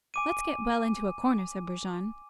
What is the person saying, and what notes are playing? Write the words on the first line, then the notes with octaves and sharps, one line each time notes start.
"Let's get well into a corner," said Brujon.
G#5 D6 D#7